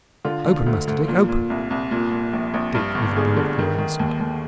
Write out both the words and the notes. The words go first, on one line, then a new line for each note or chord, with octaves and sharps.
"Open, Master Dick; open!" Dick neither moved nor answered.
D3 F4
D3
D2
D2
A#2
A#2
C2
C2
A#2
A#2
A#1
A#1
G2
G1
G1 G#4
D3
D#3
D#3
D#2
D#2